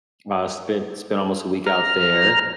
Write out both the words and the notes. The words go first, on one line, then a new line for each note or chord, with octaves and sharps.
uh, spent spent almost a week out there.
A#5 F6